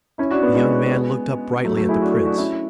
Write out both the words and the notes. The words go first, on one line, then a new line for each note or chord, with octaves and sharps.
The young man looked up brightly at the Prince.
C#4 E4
D4 F#4
B3 D4
G#3 B3
F#3 A3
F#3 A3
E4 G#4
D4 F#4
F#4 A4
D4 F#4
C#4 E4